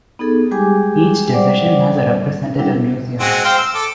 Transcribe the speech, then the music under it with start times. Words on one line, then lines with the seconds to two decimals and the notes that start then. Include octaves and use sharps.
Each division has a representative museum.
0.19 B3 D#4 G#4 A4
0.51 G3 G#3 G4 G#4 G#5 D6
1.33 G3 C5 D5 F#5 D6
2.58 G3 D4 E4 A#4 F#5
3.20 G#3 C4 F#4
3.45 C5 F5 G5
3.58 E6
3.75 A4 D6